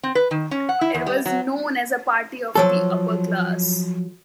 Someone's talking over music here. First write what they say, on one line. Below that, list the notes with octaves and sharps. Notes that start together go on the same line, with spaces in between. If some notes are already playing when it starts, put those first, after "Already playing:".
It was known as a party of the upper class.
C4
B4
D#3
C#4
F#5
E4
E2
G3
F#3
F3 F#3 A4